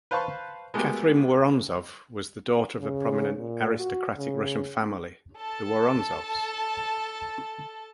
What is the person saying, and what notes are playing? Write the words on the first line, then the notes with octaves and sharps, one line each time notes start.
Catherine Woronzow was the daughter of a prominent aristocratic Russian family, the Woronzows.
B4 C5 F5 A5 B5 C#6
G#3 A3 B3 F#4 G4 A#4
C#3
A#2
F#4
C#3
A4 A5